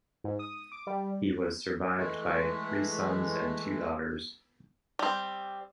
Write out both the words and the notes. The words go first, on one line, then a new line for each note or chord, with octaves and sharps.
He was survived by three sons and two daughters.
G#2
D#6
D6
G3
E3 G#3 A3
G3 C4